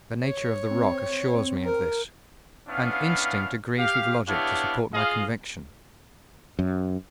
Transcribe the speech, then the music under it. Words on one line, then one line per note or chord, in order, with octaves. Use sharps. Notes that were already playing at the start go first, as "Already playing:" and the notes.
The nature of the rock assures me of this, and instinct agrees with logic to support my conviction.
C#5
C4
A#4
B3 C#4 D4 E4 F5
G4 F5
B3 D4 E4 G4 C#5 F5
F4 G#4 D#5 F5
F#2